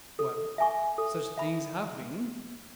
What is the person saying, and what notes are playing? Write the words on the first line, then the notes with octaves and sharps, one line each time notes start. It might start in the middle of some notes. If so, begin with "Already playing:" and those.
"Well, such things have been."
A4
E5 G#5 C#6
A4
E5 B5